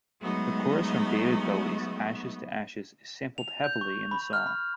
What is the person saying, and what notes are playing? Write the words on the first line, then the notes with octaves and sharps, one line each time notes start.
The chorus from David Bowie's "Ashes to Ashes" is sampled heavily in the song.
F#3 G#3 A3 B3 D#4 F#4
F7
G6
C#6
B5
F6
B5